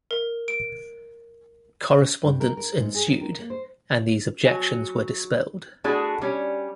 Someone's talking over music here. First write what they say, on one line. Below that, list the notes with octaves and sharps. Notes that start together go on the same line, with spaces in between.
Correspondence ensued, and these objections were dispelled.
A#4
D7
G2
A#4
A#4
G#2
G#4
D#3
A#4
A#3
C5
F#3 G#5
A3 D4 E4 F#4 G#4
G3 C#4